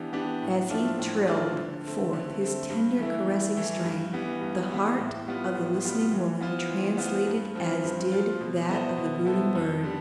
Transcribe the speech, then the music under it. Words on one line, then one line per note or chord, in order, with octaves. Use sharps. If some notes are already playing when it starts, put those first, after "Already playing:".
As he trilled forth his tender caressing strain, the heart of the listening woman translated as did that of the brooding bird.
Already playing: E3 B3 D4 G4
B3 D4 G4
A2
F3 A3 D4 F4
A2
F3 A3 D4 F4
D3
A3 C4
D3
A3 C4
G2
E3 A3 E4
G2
E3 A3 E4
G2
E3 G3 B3
G2
E3 G3 B3
A2
G3 B3 F4
A2
G3 B3 F4
E3
B3 F4 C5
E3
B3 F4 C5
G2
F3 C4 F4
G2
F3 C4 F4
B2
B3 E4 A4 C5
B2
B3 E4 A4 C5
F2
D3 G3